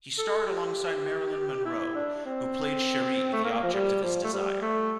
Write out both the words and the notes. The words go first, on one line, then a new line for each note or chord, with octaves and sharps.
He starred alongside Marilyn Monroe, who played Cherie, the object of his desire.
A4
G4
E4
D4
C4
A3
A#3
F3
G3
F3
A3
G3
A3